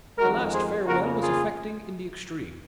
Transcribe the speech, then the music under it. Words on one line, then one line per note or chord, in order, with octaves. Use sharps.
The last farewell was affecting in the extreme.
F2 D#3 G#3 F#4 A#4
G#4 C5
F2 C#3 F3 A#3 F#4 A#4
F4 G#4